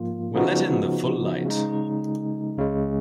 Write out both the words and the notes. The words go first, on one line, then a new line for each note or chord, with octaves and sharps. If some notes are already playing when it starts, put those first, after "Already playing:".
We'll let in the full light.
Already playing: G#2 F3 A#3 F4
C#3 F3 B3 D#4 F#4
C#3 G#3 D#4
C#2 C#3 G#3